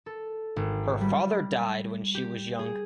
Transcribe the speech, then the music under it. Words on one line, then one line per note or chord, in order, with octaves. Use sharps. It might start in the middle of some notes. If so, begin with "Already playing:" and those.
Her father died when she was young.
A4
G#1
G3
G4
G#4